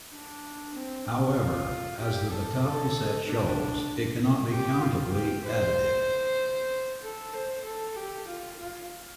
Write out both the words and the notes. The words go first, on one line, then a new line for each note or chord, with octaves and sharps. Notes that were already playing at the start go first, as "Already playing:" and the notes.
However, as the Vitali set shows, it cannot be countably additive.
D4
C4
D4
F4
G4
A4
A4
D4
G4
F4
G4
C5
A4
C5
A4
G4
F4
F4